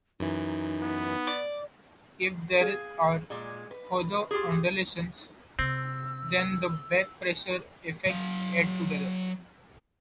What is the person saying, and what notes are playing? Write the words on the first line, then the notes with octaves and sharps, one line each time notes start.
If there are further undulations, then the back pressure effects add together.
F#2 E3 D#4
B3
D5
G#4 F5
A#2 G#3
B4
F4 G4 G#4
C3 C4 E6
F#3 F5